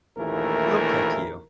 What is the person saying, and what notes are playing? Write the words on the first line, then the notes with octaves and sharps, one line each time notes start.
Look at you.
A#1 D#2 E3 A3 E4 A#4